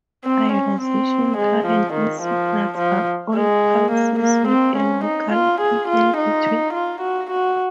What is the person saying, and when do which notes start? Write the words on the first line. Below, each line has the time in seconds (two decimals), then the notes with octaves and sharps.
Ionization current signals are all pulses with a local peak in between.
0.25 C4
0.53 C#4
0.81 C4
1.37 G#3
1.66 F3
1.94 D#3
2.23 F3
2.78 F3
3.36 G#3
3.91 A#3
4.20 A#3
4.48 C4
4.77 C#4
5.05 D#4
5.32 F4
5.61 G#4
5.88 F4
6.17 D#4
6.74 F4
7.01 F#4
7.31 F#4